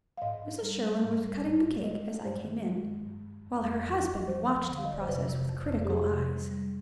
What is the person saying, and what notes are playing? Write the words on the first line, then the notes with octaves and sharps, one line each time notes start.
Mrs. Sherwin was cutting the cake as I came in, while her husband watched the process with critical eyes.
F5
G#2 D#5
G#2
G3
G3
G#2
G3
G#2
G#2
G#3 D#5
G#3
G2 C5
D#3
G#3
G2
G2
G2
F2
F2
F3
F3
F3 C5
F3
D3
F5
D#5
F2 D5
C5
C3 B4
C3
F2
F2
G4
F2 G#4
C3
G3
G3